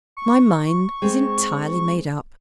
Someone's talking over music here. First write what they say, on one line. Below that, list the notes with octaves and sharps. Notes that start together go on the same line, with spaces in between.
My mind is entirely made up.
C#6
G#3 C4